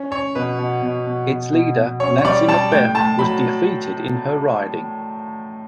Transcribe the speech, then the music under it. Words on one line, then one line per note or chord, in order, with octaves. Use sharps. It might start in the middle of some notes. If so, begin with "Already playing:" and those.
Its leader, Nancy MacBeth, was defeated in her riding.
Already playing: C#4
C#4 C#5
B2 B4
B2
B2
B2
B2
B2
B2
C#4 C#5
C#5
G3 D5
G3 A5
A2 G5
A2 A5
F#3 B5